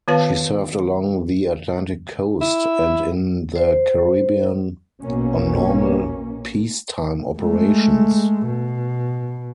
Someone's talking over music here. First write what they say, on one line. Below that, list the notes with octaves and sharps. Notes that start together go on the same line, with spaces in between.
She served along the Atlantic coast and in the Caribbean on normal peacetime operations.
D#3 B3 F4 B4 F5 A5
E4
C5
A#1 B2 A#3 C#4
G#3 A3
B2